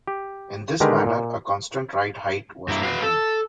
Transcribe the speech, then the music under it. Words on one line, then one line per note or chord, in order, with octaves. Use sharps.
In this manner, a constant ride height was maintained.
G4
D3 D#3 G#3 G4 A#4 B4
A#2
G2 A#3 E4
F#4 B4 F5
A4